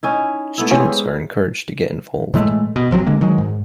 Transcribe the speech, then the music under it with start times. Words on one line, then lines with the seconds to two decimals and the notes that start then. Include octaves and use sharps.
Students are encouraged to get involved.
0.03 C#4 D#4 E4
0.58 A3 B3 E4
0.71 G#2 E3 G3 C#4 C5 E5
2.34 A2 E3 G#3 A3
2.76 B2
2.91 G#1 F3 F#3 C4
3.06 D3 G#3 A#3
3.21 D#3 F#3 G#3
3.38 G#2